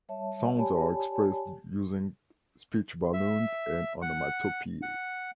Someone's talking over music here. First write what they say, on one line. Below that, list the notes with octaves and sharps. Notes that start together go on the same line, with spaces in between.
Sounds are expressed using speech balloons and onomatopoeia.
G3 C#5 E5 A5
G4 C#5 D5 G#5 A5 B5
E5
F#5
F#5